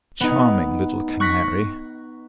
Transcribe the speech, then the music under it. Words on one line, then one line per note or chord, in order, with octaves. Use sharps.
Charming little Canary!
B3 D#4
C#6 F#6 A#6 B6